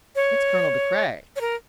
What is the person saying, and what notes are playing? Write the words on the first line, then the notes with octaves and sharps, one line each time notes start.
"It's Colonel De Craye."
C#5
C#5
A#4